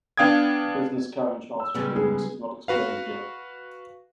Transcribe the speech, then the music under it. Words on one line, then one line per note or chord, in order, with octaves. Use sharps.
Business current transfer payments is not explained here.
B3 D4 F5 G5 D#6 G#6
E6
C#3 G3 G#3 B3
G#4
F#4 B4 F5